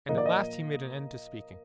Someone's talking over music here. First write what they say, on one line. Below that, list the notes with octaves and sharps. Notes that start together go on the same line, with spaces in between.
And at last he made an end to speaking.
A#2 F3 A#3 D#5
D5
D#5